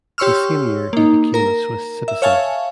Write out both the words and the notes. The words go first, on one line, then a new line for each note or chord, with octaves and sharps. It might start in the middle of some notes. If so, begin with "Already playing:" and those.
The same year he became a Swiss citizen.
G4 C#5 C6 C#6 E6 F6
A#3 D#4
A#4 A#5
E5
C#5 E5 F5 G#5 A5 C#6